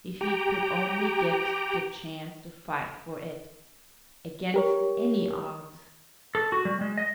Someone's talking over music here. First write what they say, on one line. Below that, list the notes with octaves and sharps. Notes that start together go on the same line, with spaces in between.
If he could only get the chance to fight for it--against ANY odds!
G4 G5 A#5
G4 A#4 C#5
A4
F#4
G3
G#3
D#5